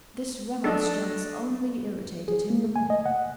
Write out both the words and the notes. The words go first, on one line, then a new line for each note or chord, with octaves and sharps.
This remonstrance only irritated him the more.
A3 D4 A4 D#5
G#4
A#3
G#5
D#5
F#5